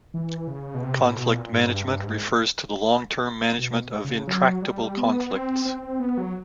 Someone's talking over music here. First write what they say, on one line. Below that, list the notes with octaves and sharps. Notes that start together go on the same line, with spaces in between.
Conflict management refers to the long-term management of intractable conflicts.
E3
C#3
B2
C3
A2
B2
A#2
G#2
G2
G2
G#2
B2
C#3
F#3
G3
B3
C4
C4
C4
B3
F#3